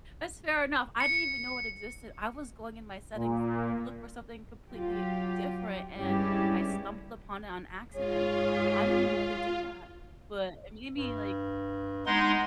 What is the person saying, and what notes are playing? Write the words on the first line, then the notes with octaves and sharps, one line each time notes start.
That's fair enough. I didn't even know it existed. I was going in my settings to look for something completely different, and I stumbled upon it on accident. I didn't even know they did that, but it made me, like,
C#7
A#2
F#3 F4 G4
G2 G3 G#3 C#4 E4 G4
G#2 F4 G#4 C#5
G2
G#3 B3 D#4 C6